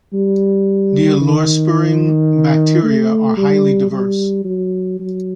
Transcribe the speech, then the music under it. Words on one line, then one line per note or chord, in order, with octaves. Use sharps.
Dehalorespiring bacteria are highly diverse.
G3
D#3
A3
G3
G3
F#3
F#3